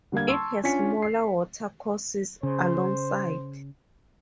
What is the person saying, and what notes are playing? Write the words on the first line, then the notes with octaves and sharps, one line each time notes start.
It has smaller watercourses alongside.
D3 G3 A#3 F5 G#6
A5 C6 C#6 E6
C#4 D4 F4 G#5 B6 C#7
C7
C#3 C5